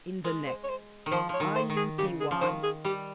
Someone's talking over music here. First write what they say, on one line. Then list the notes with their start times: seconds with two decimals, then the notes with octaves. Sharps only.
In the neck. I.u.t.y.
0.24 G#3 A#4
0.47 C5
0.64 C#5
0.69 C5
1.06 D#3
1.12 F3 C5
1.29 F3 C#5
1.40 D#3
1.55 C5
1.70 D#3
1.77 G#4
1.98 C#3 G4
2.20 G#4
2.31 F3
2.41 D#3 C5
2.63 G#4
2.85 G3 G4